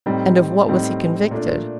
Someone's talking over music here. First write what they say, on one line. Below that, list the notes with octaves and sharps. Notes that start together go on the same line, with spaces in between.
"And of what was he convicted?"
A2 G3 C4 D#4
A2 G3 C4 D#4
A#2 A3 D4